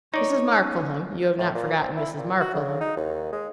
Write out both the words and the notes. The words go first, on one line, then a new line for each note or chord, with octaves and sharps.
Mrs. Markleham--you have not forgotten Mrs. Markleham?'
D#4 C#5 D5
C#4
A2
A#2
C4
E4
A#2
F#4
C#3
D#4
D#2
G#3